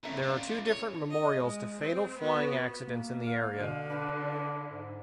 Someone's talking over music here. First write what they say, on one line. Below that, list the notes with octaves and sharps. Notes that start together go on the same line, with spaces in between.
There are two different memorials to fatal flying accidents in the area.
E2 A2 C#4 E5 A#5
D4 F4
C#5
D#5
G#3
C4
B3 F#4
A#3
F5
B2 D3
D4 B4
E4
G#2